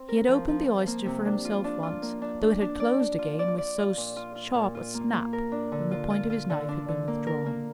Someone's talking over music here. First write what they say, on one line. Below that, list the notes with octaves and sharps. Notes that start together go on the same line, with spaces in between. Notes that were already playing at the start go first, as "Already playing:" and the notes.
He had opened the oyster for himself once, though it had closed again with so sharp a snap when the point of his knife had been withdrawn.
Already playing: C4
A#4
F3
F3
F3
A#3
C3
D4
F4
D4
F4
A#3
D4
D4
D4
D5
D4
F4
D5
D5
F4
A#2
F4
F4
A#2
F4
A#3
A#3
A#4
D4
D3
F4
F4
F4
D3
D4
D3
A#3
A#4
A#3